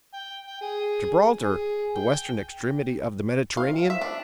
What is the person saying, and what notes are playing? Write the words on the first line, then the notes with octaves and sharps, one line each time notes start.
Gibraltar! the western extremity of the Mediterranean!
G5
G5
G#4
G#4
G5
F5
E5
D4